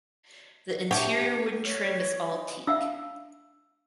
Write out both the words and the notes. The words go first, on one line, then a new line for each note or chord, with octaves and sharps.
The interior wooden trim is all teak.
D4 G4 C#5 E5 F#5 A5
C#5
D#4
D4 E5 F5 E6